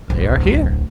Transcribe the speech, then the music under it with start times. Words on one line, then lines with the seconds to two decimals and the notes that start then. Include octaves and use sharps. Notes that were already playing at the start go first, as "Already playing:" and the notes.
"They are here."
0.10 D1 B1